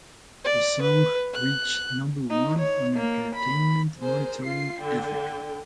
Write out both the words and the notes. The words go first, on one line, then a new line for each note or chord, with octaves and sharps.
The song reached number one on Entertainment Monitoring Africa.
D5
B4
F#6
D#4
C#5
A#3
B5
G#4 A#4 C5
F4 C7
D3 G5